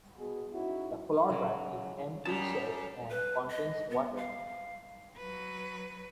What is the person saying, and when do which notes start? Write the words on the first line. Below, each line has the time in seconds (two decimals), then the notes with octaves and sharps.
The flower bud is ampule-shaped and contains water.
0.18 B2 G#4
0.53 C#4 D#4 E4 F#4
1.30 C#3 E3 F#3
2.25 F#2 G3 A5
3.10 B4
3.50 D#5
3.91 B3
4.17 F5
5.17 F#3 B4